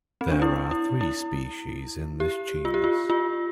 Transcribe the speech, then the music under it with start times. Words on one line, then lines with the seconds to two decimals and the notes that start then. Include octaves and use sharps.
There are three species in this genus.
0.21 C4
0.31 D4
0.42 E4
0.71 E4
1.01 E4
2.20 G4
2.65 F4
2.74 G4
2.84 F4
3.10 F4